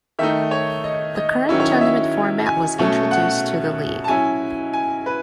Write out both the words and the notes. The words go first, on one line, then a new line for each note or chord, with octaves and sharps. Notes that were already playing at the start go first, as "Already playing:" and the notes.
The current tournament format was introduced to the league.
D#3 A3 D#4 E5
C#5
D#5
D#5
D#3 F#3 C#4 E4
C#5
D#5
E5
G#5
B2 F#3 A3 C#4
F#5
A5
F#3 C#4 E4 G#5
G#5
B4